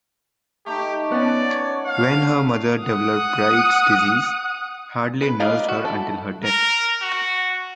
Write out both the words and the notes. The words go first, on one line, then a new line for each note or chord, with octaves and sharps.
When her mother developed Bright's Disease, Hadley nursed her until her death.
A3 D#4 G4
B3 C#4 D5 F#5 A5
C#5
F5
F#5 D#6
B4
B3 D#4 A#4 D5 F5
B3 F#4
E4 A4
A#4
F#4